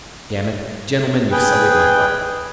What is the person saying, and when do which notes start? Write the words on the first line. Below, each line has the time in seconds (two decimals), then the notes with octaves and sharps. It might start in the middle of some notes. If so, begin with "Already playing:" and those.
Damn it!... Gentlemen, you've sullied my heart!
1.32 G#4 B4 G5